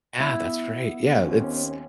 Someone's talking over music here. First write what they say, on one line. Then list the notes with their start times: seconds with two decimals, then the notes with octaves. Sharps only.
Yeah, that's right, yeah, it's
0.20 B3 E4
1.15 D#2 C4 C#4